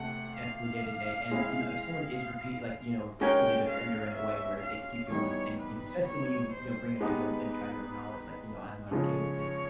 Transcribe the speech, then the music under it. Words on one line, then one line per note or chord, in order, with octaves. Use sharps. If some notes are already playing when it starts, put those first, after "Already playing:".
definitely day to day, and, you know, if someone is repeat like, you know, a repeated offender in a way where they keep doing the same things, especially when you you know, bring up to them, and try to acknowledge, like, "You know, I'm not okay with this,"
Already playing: C3 A3 F#5
F5
G#3 C4 E4
G#3 C#4 F#4 A#4 C#5 G5
F5
E5
F5
E3 G3 B3 D#4 C#5
B4
C#5
C5
G#3 B3 D#4 G4 B4
C#3 F3 G#3 C#5